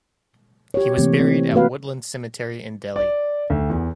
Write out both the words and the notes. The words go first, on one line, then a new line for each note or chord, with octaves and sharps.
He was buried at Woodland Cemetery in Delhi.
G4 C#5
C3 E3 A3 A#3 C4
C4
A3 A#3 F#4 B4 F5
D5
D2
E2